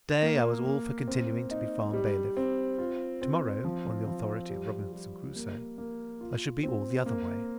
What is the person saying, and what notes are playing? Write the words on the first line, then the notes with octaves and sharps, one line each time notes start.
To-day I was all for continuing to be farm-bailiff; to-morrow, on the authority of ROBINSON CRUSOE, I should be all the other way.
A#3
A#3
C4
D#4
G3
C4
F4
C4
F3
F3
G3
G3
A#3
A#3
F4
C4
A#3